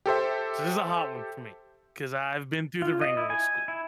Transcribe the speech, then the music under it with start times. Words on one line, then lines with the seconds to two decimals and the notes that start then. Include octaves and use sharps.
So this is a hot one for me 'cause I've been through the ringer with school.
0.06 G4 A4 C5 E5
2.82 F4
3.01 D#5
3.17 E4
3.30 G#5
3.68 E4